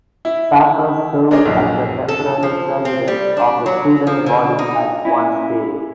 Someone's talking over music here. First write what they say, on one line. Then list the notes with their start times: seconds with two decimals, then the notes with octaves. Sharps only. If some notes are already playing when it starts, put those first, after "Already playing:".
Pappas served as the temporary president of the student body at one stage.
0.25 E4
1.31 D4 D#4 G#4 A#4 C#5 D#5
1.46 A#1 F#2
2.08 A4
2.43 F3
2.85 C4
3.08 G3
3.37 D4
3.66 F#3
4.07 F3
4.26 D3
4.59 D#4
5.05 C#4 E4